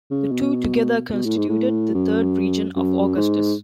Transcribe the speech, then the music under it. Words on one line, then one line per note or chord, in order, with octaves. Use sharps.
The two together constituted the third region of Augustus.
C#3
B2
B2
A2
G#2
A2
F#2
F#2
G#2